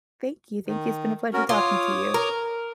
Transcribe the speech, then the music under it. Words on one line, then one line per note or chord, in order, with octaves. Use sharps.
Thank you, thank you. It's been a pleasure talking to you.
D#3
C#4 F#4 A#4
F4 C#5 D6 D#6
A#4